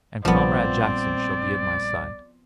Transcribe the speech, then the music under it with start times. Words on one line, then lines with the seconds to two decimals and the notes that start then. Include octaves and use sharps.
And Comrade Jackson shall be at my side.'
0.25 A#1 F3 G3 B3 C4 D5